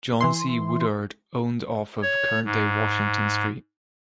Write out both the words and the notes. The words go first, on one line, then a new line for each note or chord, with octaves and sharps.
John C. Woodard owned off of current day Washington Street.
E3 E4 C6
C#5
G#2